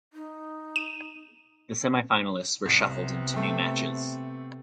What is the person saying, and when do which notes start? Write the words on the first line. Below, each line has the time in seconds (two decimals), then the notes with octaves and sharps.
The semifinalists were shuffled into new matches.
0.13 D#4
0.76 D#7
2.65 C2 C3 B3
3.33 A3 C4